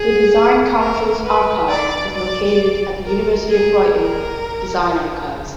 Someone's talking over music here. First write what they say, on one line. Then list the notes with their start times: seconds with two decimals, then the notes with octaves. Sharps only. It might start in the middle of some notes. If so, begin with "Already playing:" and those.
The Design Council's archive is located at the University of Brighton Design Archives.
Already playing: G#4
0.79 A#4
1.24 B4
1.69 D5
2.14 D5
3.04 A#4
3.49 G#4
3.94 A#4